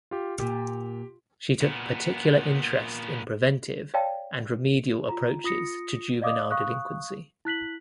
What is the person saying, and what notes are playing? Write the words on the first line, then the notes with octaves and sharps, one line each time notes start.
She took particular interest in preventive and remedial approaches to juvenile delinquency.
F4 G4
A#2 G4
A#2 B3
C#5 D5 F5 G5 A5
F4 A#5
F4 D#6 A#6 C#7
D5 D#5 F5 D6 D#6
F5 C#6 D#6 F#6
E4 F#6 B6 F#7